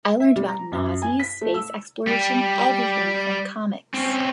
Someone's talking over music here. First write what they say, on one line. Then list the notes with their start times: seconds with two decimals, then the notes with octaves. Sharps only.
I learned about Nazis, space exploration, everything from comics.
0.20 E5
0.36 G3
0.48 A#5
0.72 F#2
1.02 G#5
1.20 B6
1.41 A3
1.54 E6
2.07 G3
3.94 C4 C#4